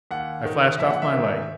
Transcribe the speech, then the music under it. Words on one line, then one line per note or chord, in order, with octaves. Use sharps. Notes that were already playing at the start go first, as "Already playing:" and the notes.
I flashed off my light.
D#2 F#5
D#3
A#1 E5
F#5
E5
G#2 D#3